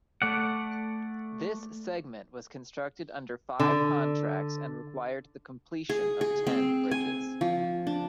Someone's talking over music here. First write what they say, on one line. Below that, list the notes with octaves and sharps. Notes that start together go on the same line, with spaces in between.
This segment was constructed under five contracts and required the completion of ten bridges.
A3 D5 F#5
D3
G#4
G#4
C4
G#5
F3
D4